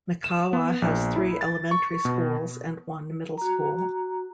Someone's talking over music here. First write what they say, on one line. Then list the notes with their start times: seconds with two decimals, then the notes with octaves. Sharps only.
Mikawa has three elementary schools and one middle school.
0.24 E7
0.53 B3
0.82 A#1
1.16 E4
1.41 A6
1.71 C#6
2.05 B2
3.38 F#4 A#5